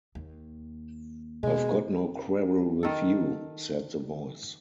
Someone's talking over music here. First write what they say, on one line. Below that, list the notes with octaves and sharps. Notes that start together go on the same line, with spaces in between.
"I've got no quarrel with you," said the Voice.
D#2
B2 G#3
D#3 A4